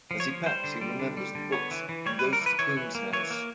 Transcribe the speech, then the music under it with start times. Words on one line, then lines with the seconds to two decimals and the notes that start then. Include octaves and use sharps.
As he packs, he remembers the books and goes to Funes's house.
0.11 F3
0.20 C#5
0.28 F3
0.46 G3 C5
0.64 D3
0.81 G3
0.99 D3
1.17 G3
1.35 D3
1.52 B3 C#5
1.71 E3
1.89 E3
2.06 G3 C#5
2.19 B4
2.24 G3
2.33 A#4
2.41 E3 B4
2.59 E3 C#5
2.77 E3
2.95 A#3
3.13 E3 C#5
3.30 A#3